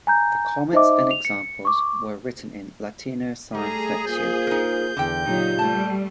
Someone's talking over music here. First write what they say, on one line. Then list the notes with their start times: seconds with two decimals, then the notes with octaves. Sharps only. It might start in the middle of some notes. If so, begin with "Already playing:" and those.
The comments and examples were written in "Latino sine flexione".
0.07 G#5 A#5 G6
0.73 D#4 C5 D#5 E5 D6
1.11 F7
1.25 C#7
1.65 C#6 D6
3.55 G3 A3 G#4 A4 A#5
4.07 A#3 F4 C5 G6
4.47 D#4 A#4
4.97 E2 D3 G5
5.26 A#2 C#3 F#3 D#4 F4 G4
5.59 G3 A3 C5 A5